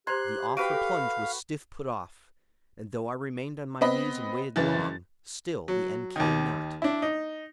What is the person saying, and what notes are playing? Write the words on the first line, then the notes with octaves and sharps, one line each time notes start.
The awful plunge was still put off; and though I remained on my knees and waited long, still the end came not.
G4 C5 A#5 C6 F#6 G#6
F#4 B4 F5 G5 D7 D#7
A4
B3 C4 D#5 B5
F#1 E3 A6
F#3
D#2 D#3
D4 E4
D#4